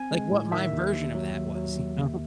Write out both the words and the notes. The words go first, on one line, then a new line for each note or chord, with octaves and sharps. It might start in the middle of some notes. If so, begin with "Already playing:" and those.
Like, what my version of that was, you know?
Already playing: C4 G#5
G#3
A2
D#3 E5
D#2
D#2
F#3
D#2
F#3
D#2
D#2